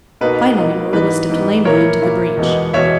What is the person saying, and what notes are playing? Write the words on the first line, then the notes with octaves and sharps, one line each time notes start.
Finally Marilla stepped lamely into the breach.
B2 A#3 D#4 B4
B2 A#3 D#4
G#2 E3 B3 B4
G#2 E3 B3
A#2 A#3 E4 A#4 C#5
A#2 A#3 E4
E2 B2 G#3 B3
E2 B2 G#3 B3 C#5 E5